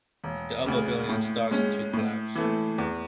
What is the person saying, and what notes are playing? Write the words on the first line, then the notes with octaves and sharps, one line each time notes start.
The upper building starts to collapse.
E1
D2 C#3
A2
G#3 C#4
A2
E3 A3
E2